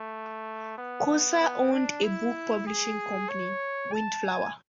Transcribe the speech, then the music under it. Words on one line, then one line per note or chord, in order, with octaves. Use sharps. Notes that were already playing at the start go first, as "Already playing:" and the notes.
Kooser owned a book publishing company, Windflower.
Already playing: A3
B3
B3
D4
E4
G#4
C#5
A5
G#5